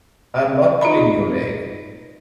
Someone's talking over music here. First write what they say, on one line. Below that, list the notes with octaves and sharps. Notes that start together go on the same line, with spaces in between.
I am not pulling your leg.
D#4 F4 D#5 A#5 B5